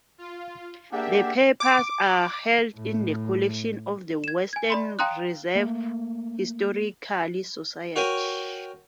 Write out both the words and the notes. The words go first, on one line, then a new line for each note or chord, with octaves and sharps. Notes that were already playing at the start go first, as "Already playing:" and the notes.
Her papers are held in the collections of the Western Reserve Historical Society.
F4
A#3 D4 G4 G#4 E5 F#5 A5
D6
A2
G#6 E7
G#5 G#6
D5 B5 C6
F5 G5 A#5 C6 D#6 F#6
A3 A#3
F#4 A#4 C#5 G5 G#5